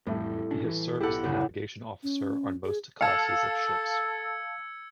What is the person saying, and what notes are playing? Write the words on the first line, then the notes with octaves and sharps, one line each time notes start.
He has served as the navigation officer on most classes of ships.
A1 F2 A2 G3 A3
G#1 C#4 D4
E3
B1 E4 G4 A4 D5 F#5
D2 A2 C#3
C#4
G#4
A4 F5 A5 E6 G#6 C#7